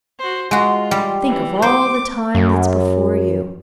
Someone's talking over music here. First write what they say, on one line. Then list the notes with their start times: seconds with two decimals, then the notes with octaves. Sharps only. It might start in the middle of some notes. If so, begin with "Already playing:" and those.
Think of all the time that's before you.'
0.19 F#4 C5
0.51 G#3 F4 F#4
0.91 G3
1.28 E3
1.62 C5 D6
2.35 F#2